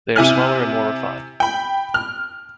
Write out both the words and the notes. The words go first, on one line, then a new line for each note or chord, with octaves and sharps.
They are smaller and more refined.
C3 E4 G#5 F6
G5 B5
F6